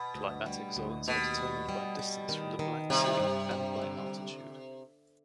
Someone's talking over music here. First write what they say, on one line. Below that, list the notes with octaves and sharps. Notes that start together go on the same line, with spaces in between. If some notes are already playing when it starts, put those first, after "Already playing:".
Climatic zones are determined by distance from the Black Sea and by altitude.
Already playing: B2
D2
G3
D2
D#2 B2
G3
G3
G3
D#3
D#3
C3 G3
G2
G3
D3